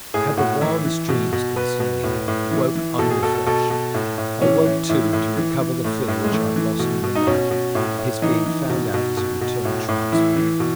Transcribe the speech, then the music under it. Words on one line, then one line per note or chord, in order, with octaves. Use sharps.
I had the wildest dreams concerning him, and woke unrefreshed; I woke, too, to recover the fear which I had lost in the night, of his being found out as a returned transport.
A2 G#4
A2 F#4
E3 E4
E3
B2
B2
B2 B4
B2
A2
A2
E3
E3
B2 A4
G#4
B2 A4
A4
B2 A4
B2
A2
A2
E3 C#4
E3
A2 E4
A2
E3
E3
A2 A3
A2
G#3
E3 A3
E3
B2
B2
D#4
B2 C#4
B2
A2
A2
E3 D#4
E3
B2
B2
B2
B2
A2
A2
E3 E4
E3
B2